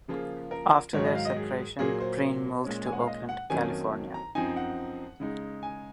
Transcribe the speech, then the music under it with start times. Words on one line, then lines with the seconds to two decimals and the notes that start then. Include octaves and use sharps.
After their separation, Breen moved to Oakland, California.
0.08 C#3 F3 A#3 F4 G#4
0.51 A#4
0.93 G#2 D#3 F#3 C#5
1.05 D#5
1.15 F5
1.25 D#5
1.36 G#4
1.79 A#2 F#3 A#3 G#4
2.01 C5
2.64 A#2 G#3 C#4
2.86 G#5
2.93 F#5
3.00 F5
3.07 D#5
3.29 F#5
3.50 F2 D#3 F#3 A#3 C#4 G#5
4.14 A#5
4.35 F#2 F3 C4 D#4 G#5
4.56 F#5
5.20 C#3 G#3 D#4
5.63 G#5